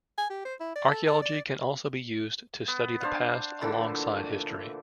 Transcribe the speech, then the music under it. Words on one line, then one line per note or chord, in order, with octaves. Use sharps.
Archaeology can also be used to study the past alongside history.
G#5
G4
C5
E4
D5
A4
A4
D5
B3
D4 C5 F5 F#5
A#2 D3 E3 A3